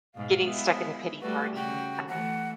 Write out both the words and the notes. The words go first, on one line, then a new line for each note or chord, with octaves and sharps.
getting stuck in a pity party um,
G#2 B2 F5
G#3 B3 E4
G3 A3 F#4 B4
C#3 F#4 G5
E3 A3 F#5